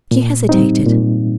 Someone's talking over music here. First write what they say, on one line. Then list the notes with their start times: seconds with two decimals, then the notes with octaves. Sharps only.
She hesitated.
0.11 A#2
0.49 G3 C4 D#4
0.87 A#2